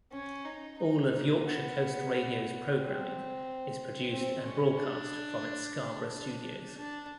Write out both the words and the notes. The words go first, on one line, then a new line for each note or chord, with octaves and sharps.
All of Yorkshire Coast Radio's programming is produced and broadcast from its Scarborough studios.
C#4
D#4
D#4
A#3
B3
C4
C4
C#4
D4
D4
D4